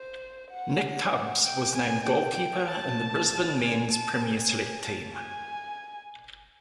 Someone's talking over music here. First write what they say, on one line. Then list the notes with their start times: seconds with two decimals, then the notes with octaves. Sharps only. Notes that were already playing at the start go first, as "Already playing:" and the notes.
Nick Tubbs was named Goalkeeper in the Brisbane Men's Premier Select Team.
Already playing: C5
0.51 F#5
1.44 G5
1.75 G#5
2.06 G5
2.36 G5
2.68 A5
3.60 G#5
3.92 A5
4.22 G#5
4.84 A5
5.15 G#5